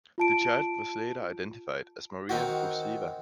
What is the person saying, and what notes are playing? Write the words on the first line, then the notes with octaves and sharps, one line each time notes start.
The child was later identified as Maria Ruseva.
F4 A5 D7
D#3 C4 F#4